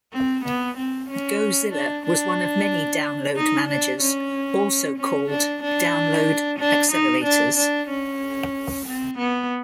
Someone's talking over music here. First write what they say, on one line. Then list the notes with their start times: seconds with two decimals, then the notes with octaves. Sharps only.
Go!Zilla was one of many download managers, also called download accelerators.
0.13 C4
0.45 B3
0.77 C4
1.10 C#4
1.74 D4
2.07 D4
3.37 D#4
3.69 D4
4.01 C#4
4.98 C#4
5.30 D4
5.63 D4
6.59 D4
6.92 D#4
7.24 D4
7.57 D4
7.89 C#4
8.86 C4
9.18 B3